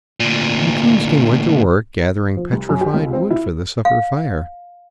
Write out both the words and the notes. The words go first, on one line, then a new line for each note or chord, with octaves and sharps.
And Coonskin went to work gathering petrified wood for the supper fire.
D2 A#2
F3
C2
F#2
G4
C#2
C4
E4
F5